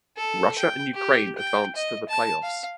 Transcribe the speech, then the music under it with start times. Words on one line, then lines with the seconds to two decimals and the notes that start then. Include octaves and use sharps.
Russia and Ukraine advanced to the playoffs.
0.17 A4
0.59 G5
0.94 G4
1.38 G5
1.76 D#5
2.09 A5
2.43 F5